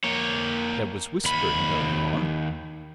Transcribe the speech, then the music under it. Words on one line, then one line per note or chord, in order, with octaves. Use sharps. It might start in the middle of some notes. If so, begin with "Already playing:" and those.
There was whispering going on.
A#3 C#5
D#2 B5